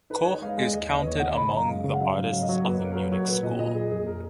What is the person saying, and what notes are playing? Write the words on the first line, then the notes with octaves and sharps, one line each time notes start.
Koch is counted among the artists of the "Munich School".
D#4 B4
C#5
D#4
D#5
G#3 F5
G#3 D#5
D#2 D#5
D#2 D#5
D#2 C#5
D#3 D#5
C#3 D#5
D#5
F#2 F5
G#3
C#3
F5
F#3 D#5
G#2 F5
F#3 F5
D#5
F#3 C#5
A#3 B4
A#3 A#4
A#4
F#3 B4
F#3 C#5
A#2 B4
A#2 D#5
A#2 D#5
F#3 G#4
F2 G#4
A#4